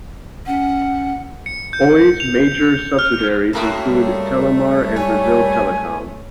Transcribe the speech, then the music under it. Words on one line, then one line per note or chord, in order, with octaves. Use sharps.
Oi's major subsidiaries include Telemar and Brazil Telecom.
C#4 F#5
C#7
G6
F7
F6
F#2 A2 A3 A#3
G3
C#5 G#5